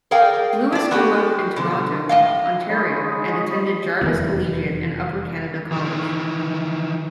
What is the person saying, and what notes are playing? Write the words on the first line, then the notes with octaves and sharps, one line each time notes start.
Lewis grew up in Toronto, Ontario, and attended Jarvis Collegiate and Upper Canada College.
G#4 A#4 D5 F5 G5
D4 D5
B3 F#4 G4
B2 D3
A2 D#5 F5
G#3 D#4 C#5 D#5 B5
F1 E2 D#3 E3
D#3 E3